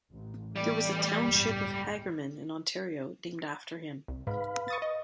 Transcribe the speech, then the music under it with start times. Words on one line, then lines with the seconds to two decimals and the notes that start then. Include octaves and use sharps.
There was a township of "Hagerman" in Ontario named after him.
0.11 A1
0.56 E3 G3 A3 B3 D5
1.26 G1 C#2 A2
4.08 C2
4.27 G#2 B4 F5 B5
4.68 C#6 D#6 A6
4.82 D#5